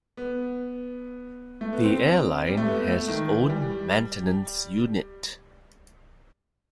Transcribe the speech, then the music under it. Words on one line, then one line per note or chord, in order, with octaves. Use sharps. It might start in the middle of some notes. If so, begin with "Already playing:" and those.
The airline has its own maintenance unit.
B3
A3
B3
C4
G3
A3
B3
A3
D#3
E3
G3